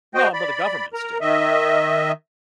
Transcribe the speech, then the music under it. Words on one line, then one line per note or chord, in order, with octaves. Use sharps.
No, but the government's doing it.
F#4 C5 D#5 G5
D5 B5
A#4 A#5
D#3 D#5 E5